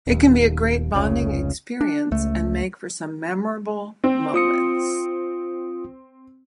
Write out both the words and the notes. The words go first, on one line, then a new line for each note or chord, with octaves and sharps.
It can be a great bonding experience and make for some memorable moments.
D#1 D#2
F1 C#2 C#3
D4
C#2 A3
C4
F4 D#6 C#7